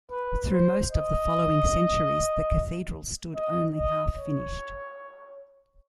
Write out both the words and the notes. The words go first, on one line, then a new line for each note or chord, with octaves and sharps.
Through most of the following centuries, the cathedral stood only half-finished.
B4
C5
D#5
D#5
D#5
C#5